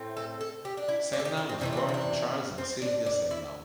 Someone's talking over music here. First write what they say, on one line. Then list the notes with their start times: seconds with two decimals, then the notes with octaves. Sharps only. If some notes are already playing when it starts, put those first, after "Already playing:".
Samenow was born to Charles and Sylvia Samenow.
Already playing: A2 A3 C4
0.17 A4
0.41 A4
0.65 G4
0.77 D4
0.88 E4
1.13 D4
1.20 A4
1.25 G4
1.37 E4
1.49 C4
1.61 C3 E3 A3 D4
1.73 D4
1.77 C4
1.89 E4
1.94 D4
2.58 C4
2.82 D4
3.06 D4
3.31 E4